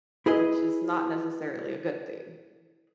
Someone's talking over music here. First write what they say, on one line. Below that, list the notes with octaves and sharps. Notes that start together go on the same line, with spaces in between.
which is not necessarily a good thing.
E4 G#4 B4 D#5